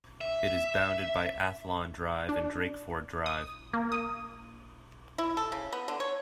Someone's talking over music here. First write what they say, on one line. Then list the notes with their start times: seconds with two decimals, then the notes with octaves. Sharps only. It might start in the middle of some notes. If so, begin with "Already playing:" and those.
It is bounded by Athllon Drive and Drakeford Drive.
0.21 E5
2.29 D4
3.26 D#6
3.73 A#3
3.92 D#6
5.18 E4
5.37 A4
5.52 C#3
5.72 B3
5.88 D3
6.00 C#5